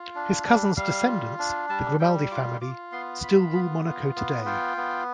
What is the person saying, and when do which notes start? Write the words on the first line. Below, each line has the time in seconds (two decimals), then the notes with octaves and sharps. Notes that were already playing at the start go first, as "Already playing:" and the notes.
His cousin's descendants, the Grimaldi family, still rule Monaco today.
Already playing: F4
0.15 D4
0.46 G3
0.76 G3 F5
1.08 F4
1.39 D4
1.69 G3 A5
2.00 G3 G5
2.31 F4 D6
2.61 F4 D6
2.92 B3 C6
3.23 F4 B5
3.53 B3
3.85 F4
4.16 B3
4.46 F4 G5
4.77 B3